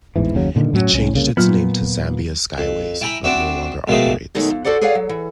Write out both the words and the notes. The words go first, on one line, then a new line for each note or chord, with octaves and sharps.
It changed its name to Zambia Skyways, but no longer operates.
A1 E2 G#2 E3
F#1 D#2 C#3 F#3
G2 A#2 D3 D#3
A2 F#3 C4 C#4
C2 C#4
C2 C#3 A#3
A#2 F#3 B3 F4 F6
F2
E4 G5 G#5 A#5 B5
C4 D4 F#4 E5
G#2 B2 D#3 F3 A3 G#4
B2 D#3 F#3 G#3 A3
F2
F#4 A4 C5 D5 F#5
G#4 B4 C#5 D5 F5 F#5
F#3
E3